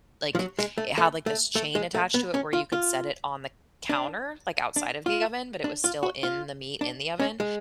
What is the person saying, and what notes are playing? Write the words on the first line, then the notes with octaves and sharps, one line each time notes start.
like, it had, like, this chain attached to it where you could set it on the counter, like, outside of the oven, but it was still in the meat in the oven,
F3
F#3
G#3
A3
A3
A3
A3
G#3
A3
B3
C#4
F4
F4
D4
D4
F4
D4
F4
F#4
F4
D4
C#4
G#3